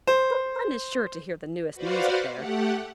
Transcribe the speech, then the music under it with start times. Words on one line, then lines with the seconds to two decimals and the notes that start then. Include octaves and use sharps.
But one is sure to hear the newest music there.
0.07 C5
1.74 F#4 B4 C5 D5 F5 F#5
2.35 A3 G4 F#5